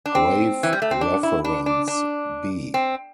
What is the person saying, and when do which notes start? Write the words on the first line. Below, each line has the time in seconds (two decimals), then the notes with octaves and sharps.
Grave Reference: B.
0.06 D4
0.15 C4
0.63 E3
0.73 G3
0.82 A3
0.91 C4
1.01 D4
1.23 E4
1.44 D4
1.66 D4
1.88 D4
2.74 C4